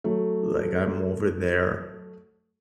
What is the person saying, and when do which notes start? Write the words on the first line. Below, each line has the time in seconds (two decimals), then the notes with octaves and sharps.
Like, I'm over there
0.04 F#3 A3